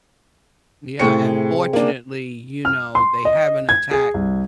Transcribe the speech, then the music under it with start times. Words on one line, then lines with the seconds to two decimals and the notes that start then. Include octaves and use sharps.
Yeah, and fortunately, you know, they haven't attacked
1.00 A2 C3 G#4 C6 C#6 C#7
1.73 A#3 D4
2.65 F6
2.95 C6
3.25 D#5
3.69 G#6
3.91 G#4
4.14 C2